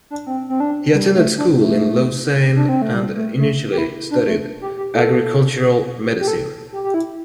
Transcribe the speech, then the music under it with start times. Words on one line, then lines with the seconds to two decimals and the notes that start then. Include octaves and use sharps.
He attended school in Lausanne, and initially studied agricultural medicine.
0.10 D4
0.27 C4
0.49 C4
0.60 D4
0.94 G3
1.16 A3
1.38 D4
1.61 A3
2.56 D4
2.69 C4
2.82 A3
2.94 G3
3.16 A3
3.39 A3
3.71 G4
3.78 E4
4.11 D4
4.27 A3
4.61 G4
4.77 G4
4.95 A4
6.20 G4
6.28 A4
6.72 G4
6.84 G4
6.94 E4